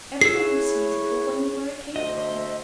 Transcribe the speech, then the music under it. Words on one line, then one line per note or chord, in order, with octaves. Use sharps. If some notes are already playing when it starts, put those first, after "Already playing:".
"Every one who sees it will wonder where it came from."
E4 G#4 B4 C#5 E6 C7
D2 C5 D#5 E5